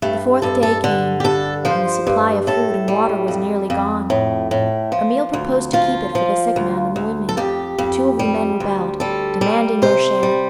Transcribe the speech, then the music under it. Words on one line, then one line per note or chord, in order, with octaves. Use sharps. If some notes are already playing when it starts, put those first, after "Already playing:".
The fourth day came and the supply of food and water was nearly gone. Emil proposed to keep it for the sick man and the women, but two of the men rebelled, demanding their share.
G2 A3
G2 A4
A4
D3
G4
G2 A4
F3 C5
G2
A2 A4
G3
F2
F2
A2
A2
F3
D2
F3 F4
F3
D2
D2
A4
F2 G4
F2
G3
D2
G3 A4
G3
C3 C5
G3